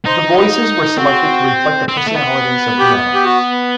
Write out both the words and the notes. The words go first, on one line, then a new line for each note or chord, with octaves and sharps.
The voices were selected to reflect the personalities of the animals.
D#4 C5
B4
C4 F#4
C4
B3
A3
B3
G4
G4
F#4